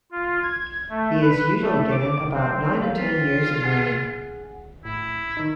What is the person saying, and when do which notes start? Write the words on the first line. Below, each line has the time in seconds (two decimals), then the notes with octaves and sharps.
He is usually given about nine or ten years of reign.
0.12 F4
0.43 G#6
0.90 A3
1.22 B4
1.62 A3
1.91 D6
2.33 C4
2.81 A#3 A#4 F5
2.98 C4 F4 B6
3.64 G#4 F#5 G#5
4.85 A2 E4
5.37 D#3 D#4